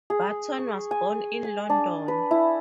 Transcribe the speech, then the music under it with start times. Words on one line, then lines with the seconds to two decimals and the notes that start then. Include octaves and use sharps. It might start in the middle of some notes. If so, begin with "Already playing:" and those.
Barton was born in London.
0.10 G#4
0.59 C#6
0.91 G#5
1.45 G#5
1.70 D4
2.08 B4
2.31 E4